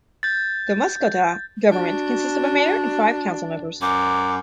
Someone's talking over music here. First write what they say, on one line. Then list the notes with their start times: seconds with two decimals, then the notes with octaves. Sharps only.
The Muscotah government consists of a mayor and five council members.
0.23 G6 A6
1.71 D4 F#4
3.81 F#2 D6